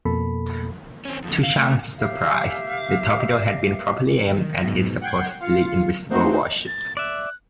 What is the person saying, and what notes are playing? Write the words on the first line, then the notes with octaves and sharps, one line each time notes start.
To Chang's surprise, the torpedo had been properly aimed at his supposedly invisible warship.
F2 B2 A#3 A4 B5
C4 C#4
F2 D3
F5
A3
G4 E5 F5
D#3
G#2 B2
F#5 G5 G6 G#6 C7
F4 F5 C#7
A3 A#3 C4 D#4 F#4 C5
A6
D5 E5 F#6